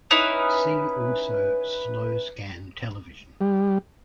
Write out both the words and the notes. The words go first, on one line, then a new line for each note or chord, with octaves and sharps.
See also slow-scan television.
C#4 D#4 E4 B4
G3